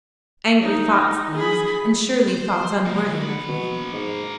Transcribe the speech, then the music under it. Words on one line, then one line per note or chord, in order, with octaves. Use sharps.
Angry thoughts these--and surely thoughts unworthy of me?
D#4
G#4 B5
C5
C#2 A#3
A#3 B5
B2
G#2